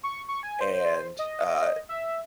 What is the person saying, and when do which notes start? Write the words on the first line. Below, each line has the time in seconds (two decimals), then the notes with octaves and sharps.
and, uh,
0.03 C#6
0.28 C#6
0.43 G#5
0.61 C5
1.19 D#5
1.89 E5